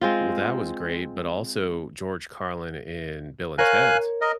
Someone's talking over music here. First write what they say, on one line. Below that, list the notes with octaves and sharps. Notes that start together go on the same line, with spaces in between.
Well, that was great, but also George Carlin in Bill and Ted's.
G#3 C4 F4
A#4 C#5 F5 G#5 F#6
A#4 D#5